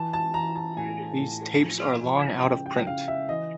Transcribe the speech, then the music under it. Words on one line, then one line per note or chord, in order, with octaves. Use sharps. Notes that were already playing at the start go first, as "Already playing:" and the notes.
These tapes are long out-of-print.
Already playing: E3 A5
A5
E3 A#5
A5
A2 G#5
A2
F3
F3
C#3 G5
G5
C#3 F5
E5
E3 D#5